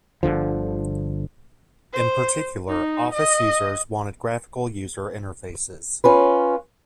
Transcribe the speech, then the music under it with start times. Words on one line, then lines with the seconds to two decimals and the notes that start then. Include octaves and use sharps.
In particular, office users wanted graphical user interfaces.
0.23 G1 D#2 D3 F3
1.94 C5
2.69 D#4
3.14 D#5
6.04 C#4 F4 B4